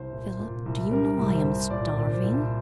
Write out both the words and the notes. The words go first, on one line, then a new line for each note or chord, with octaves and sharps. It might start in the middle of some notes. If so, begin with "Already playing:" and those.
Philip, do you know I am starving?
Already playing: C2 C5
A#2
A#2
C2
G3 A#4
C2
C5
C2
A#2 D5
A#2
C5
C2